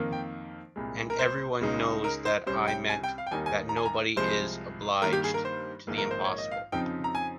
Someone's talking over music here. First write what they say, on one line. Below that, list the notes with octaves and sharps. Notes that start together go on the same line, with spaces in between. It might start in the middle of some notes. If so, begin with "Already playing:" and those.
And everyone knows that I meant that nobody is obliged to the impossible.
Already playing: F2 D#3 A#3
G5
C2 A#2 G#3
A#4
C5
C#2 C#3 G#3 D#4
A#4
C5
C2 C3 G3 C#4 C5
G5
G#5
G5
F5
G5
D#2 D#3 G3 A#3 D#4 G#5
G#5
A#5
G#5
A#5
C2 C3 F3 G#3 C5
G2 D#3 A#3 A#4
G4
G#4
A#4
C5
A#1 G#2 D#3 A#3
A#4
C5
C#5
D#5
F5
F2 C#3 F3 C4 D#4 G5
A#5
G#5